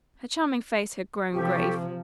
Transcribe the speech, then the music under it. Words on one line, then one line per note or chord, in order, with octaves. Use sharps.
Her charming face had grown grave.
C3 F3 G4 A4 C#6